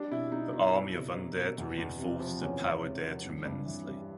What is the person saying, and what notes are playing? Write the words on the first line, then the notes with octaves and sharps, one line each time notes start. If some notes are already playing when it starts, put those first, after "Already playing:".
Her army of undead reinforces her power there tremendously.
Already playing: G3 D4
B2 E4
G3 D#4
B2 D#4
G3
B2
G3
B2
E2
E2
C3
F3
E2 C#4
E2
C3
F3
G2
G2
E3
G3